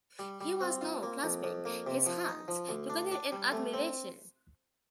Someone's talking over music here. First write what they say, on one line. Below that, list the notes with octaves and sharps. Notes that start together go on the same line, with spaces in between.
He was now clasping his hands together in admiration.
G3
G3
C4
F4
A#3
F2
F2
A#3
C3
F3
D#4
F3
D2
D4
D4
G3
A3
C4